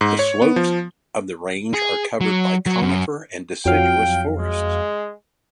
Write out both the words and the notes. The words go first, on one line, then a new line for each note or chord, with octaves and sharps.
The slopes of the range are covered by conifer and deciduous forests.
G#2
C#5
B3
F3
G#4
F#3
F#3
F#2
F2 F#3 F5 G5
G#3